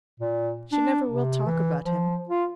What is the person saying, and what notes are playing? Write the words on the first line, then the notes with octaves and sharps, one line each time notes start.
She never will talk about him.
A#2
D4
C3
E3
F3
F4